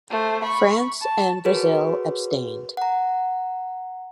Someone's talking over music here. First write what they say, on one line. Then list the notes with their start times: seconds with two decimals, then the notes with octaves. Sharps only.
France and Brazil abstained.
0.11 A3 C5
0.43 B5 C#6
1.02 A5
1.45 F#4 G#4 A#4 B4 C#5
2.77 F#5 A#5